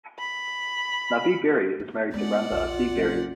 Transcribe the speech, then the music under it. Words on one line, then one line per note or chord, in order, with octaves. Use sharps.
Nabih Berri is married to Randa Assi Berri.
B5
A#3
G#3 B3 C4 D5 F#5
A#1 E2 F4
F#1